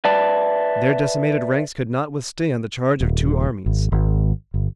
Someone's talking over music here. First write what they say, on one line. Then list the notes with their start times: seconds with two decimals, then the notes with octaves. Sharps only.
Their decimated ranks could not withstand the charge of two armies.
0.05 B4 D5 E5 A5
3.01 D#1
3.66 G#1
3.92 G#1
4.54 G1